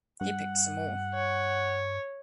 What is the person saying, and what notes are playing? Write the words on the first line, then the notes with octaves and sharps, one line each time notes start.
He picked some more.
G2 F#5
C#5